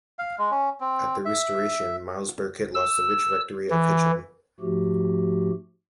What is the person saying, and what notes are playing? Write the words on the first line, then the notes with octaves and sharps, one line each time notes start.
At the Restoration, Miles Burkitt lost the rich rectory of Hitcham.
F5
G#3
C#4
C4
E5
E6
E3
G#2 F3 A3 F#4 G4